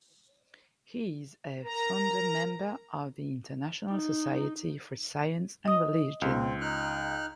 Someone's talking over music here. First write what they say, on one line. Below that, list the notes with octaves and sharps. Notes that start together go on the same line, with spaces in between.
He is a founder member of the International Society for Science and Religion.
A#4 A#5
D#4
D#5 D#6
C#2 C4
D#4 F6 F#6